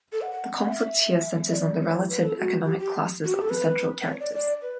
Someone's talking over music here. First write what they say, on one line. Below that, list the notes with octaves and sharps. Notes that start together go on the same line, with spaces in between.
The conflict here centres on the relative economic classes of the central characters.
A4
F#5
F#5
F#5
E5
E5
D5
C#5
B4
A4
F#4
G4
G4
F#4
G4
A4
B4
B4
C#5
D5
D5
B4